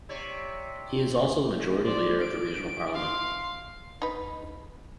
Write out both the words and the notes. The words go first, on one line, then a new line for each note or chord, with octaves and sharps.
He is also the Majority Leader of the regional parliament.
C3 C#5 D5
C5 D5
D7
F5 C6
D#4 B4